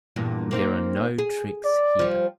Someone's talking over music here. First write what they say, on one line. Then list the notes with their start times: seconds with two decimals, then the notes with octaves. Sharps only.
There are no tricks here.
0.16 E2 G2 A#2
0.51 A#3 C4 D#4
1.18 G#4
1.65 D5
1.99 F3 G3